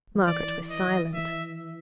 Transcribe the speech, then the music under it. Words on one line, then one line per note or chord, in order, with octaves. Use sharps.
Margaret was silent.
F3
E3 D5
D#5
E3 E5